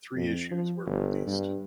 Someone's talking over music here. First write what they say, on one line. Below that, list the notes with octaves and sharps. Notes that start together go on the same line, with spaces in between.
Three issues were released.
F2
F3
G1
G2